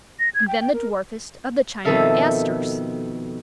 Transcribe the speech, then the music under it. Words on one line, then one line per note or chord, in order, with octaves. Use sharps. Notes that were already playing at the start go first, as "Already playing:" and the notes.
And then the dwarfest of the China Asters.
A#6
G#6
G5
G5
A#4
F2 B2 D#3 A4 E5 F5